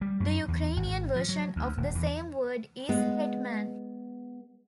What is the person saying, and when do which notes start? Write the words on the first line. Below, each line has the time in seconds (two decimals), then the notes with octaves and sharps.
The Ukrainian version of the same word is Hetman.
0.01 G3
0.20 F#2
0.48 E2
0.76 G#1
1.16 F3
1.29 F#3
1.56 D2
1.77 D#1
1.95 E2
2.89 G#3 B3